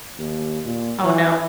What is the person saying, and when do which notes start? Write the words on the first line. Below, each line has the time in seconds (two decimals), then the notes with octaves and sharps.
Oh no.
0.19 D#2
0.66 A#2
1.04 E3